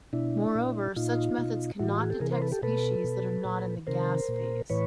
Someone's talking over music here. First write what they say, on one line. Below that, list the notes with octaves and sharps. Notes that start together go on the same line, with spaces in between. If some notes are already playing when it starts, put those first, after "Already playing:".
Moreover, such methods cannot detect species that are not in the gas-phase.
B2 D4 E4
A#2
A#2 D#4 F4
B2
A2 E3 E4 F#4
F4 G4
F#4 G#4
G4 A4
C3 E3 G#4 A#4
A#4 C5
A4 B4
G4 A4
B2 A4 B4
B2
A#2
C3 D#3 A#4 C5
A#2
A2 E3 B4 C#5